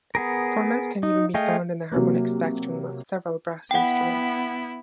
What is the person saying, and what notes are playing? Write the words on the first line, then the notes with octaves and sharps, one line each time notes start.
Formants can even be found in the harmonic spectrum of several brass instruments.
B3 G#4 A#4
D#4
A3 G#4 D#5 F5 G5
C3 F#3 A#3
B3 E4 F#5 G5